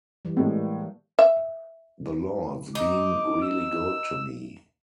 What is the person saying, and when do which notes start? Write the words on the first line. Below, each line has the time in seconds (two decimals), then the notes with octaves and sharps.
The Lord's been really good to me.
0.25 E3 G3
0.37 A2 G#3 A#3
1.19 E5
2.75 D#4 D6
3.42 E6